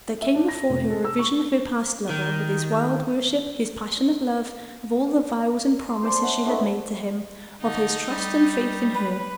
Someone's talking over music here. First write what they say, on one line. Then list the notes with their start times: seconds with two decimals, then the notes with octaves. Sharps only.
There came before her a vision of her past lover, with his wild worship, his passionate love; of all the vows and promises she had made to him; of his trust and faith in her.
0.22 E5
0.35 D4
0.48 A#6
0.69 F1
0.90 A4
1.04 E6
1.19 C#6
2.09 D#3
5.88 C6 E6
6.03 C5 D5 A5
6.22 C#4 E5 F#5
6.46 A3 B3 C4 D#4
7.63 D3 D#4
8.09 G3
8.94 B4